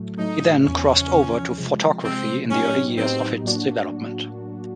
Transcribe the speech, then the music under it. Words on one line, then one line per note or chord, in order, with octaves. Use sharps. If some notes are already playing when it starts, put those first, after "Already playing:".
He then crossed over to photography in the early years of its development.
Already playing: A2 F#3 A3
A2 F#3 A3 D#4
E2 C#3 F3 C#4
E2 C#3 F3
C3 F3 G#3
C3 F3 G#3 C4
A2 F#3 B3 C#4 D#4 G4
A2 F#3 B3 C4 D#4 G4
A2 F#3 A#3 D4 F#4